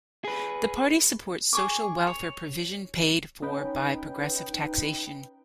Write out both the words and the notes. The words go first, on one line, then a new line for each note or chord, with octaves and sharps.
The party supports social welfare provision paid for by progressive taxation.
G#4 B4
G#4 C#6 D6
C#5
C#4 D#4 B4 G5